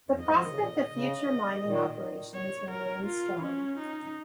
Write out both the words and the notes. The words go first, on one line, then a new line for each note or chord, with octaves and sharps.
The prospect of future mining operations remains strong.
F2
G#2 D#5
F3
D#3
C#3
A#2
C#3
A#2 D#3
C#5
A#4
F4
C#4
D#4